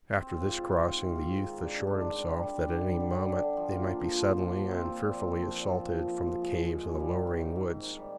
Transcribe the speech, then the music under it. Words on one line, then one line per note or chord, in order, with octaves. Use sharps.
After this crossing the youth assured himself that at any moment they might be suddenly and fearfully assaulted from the caves of the lowering woods.
C4
F4
G#2
F4
G#2
F4
C4
G#2
D#3
D#3
D4
D#3
D4
D4
G3
G3
G3
D4
D3
G3
D3
D3
D3
D3
F3
A#3
F3
F3
F3
F3
A#3
F3
C4
F3
A#2
A#2
C4
F3
A#2
F3
F3
F3
F3
F3
G#3
F3
G#3
G#3
G3
D#3
G#2
D#3
G#2
G#2
D#3
G3